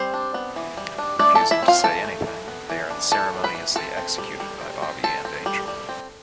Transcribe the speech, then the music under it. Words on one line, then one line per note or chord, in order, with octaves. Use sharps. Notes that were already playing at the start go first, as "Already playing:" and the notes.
Refusing to say anything, they are unceremoniously executed by Bobby and Angel.
Already playing: G3 C4 C5
D4
B3
E3
G3
D4
A3 D4 D5
A4 A5
E3
E4 E5
C4
F4 F5
E3 A4 A5
A3
E3
B3
E3
D4
E3 A4 A5
B3
B4 B5
E3
C4 A4 A5
C4
G3
G3
C4
C4
C4 A4 A5
C4
G3
G3
C4